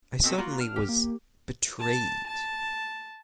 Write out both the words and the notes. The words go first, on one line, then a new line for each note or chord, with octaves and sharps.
I certainly was betrayed.
B2 C4 A4
A#3 F4 F#4 A#5
D4 F6
G4
A#3
A5
A5